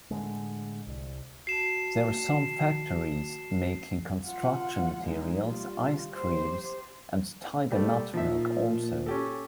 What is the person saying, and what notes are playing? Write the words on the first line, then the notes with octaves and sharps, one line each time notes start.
There are some factories making construction materials, ice creams and tiger nut milk, also.
A2 D3 G#3
C2
F#4 A5 C7 E7
F4 F#5
G#3 D#4
G3 F4
G4 C5
G3 A3
A#2 F3 D#4 E5
C#4 G4 A4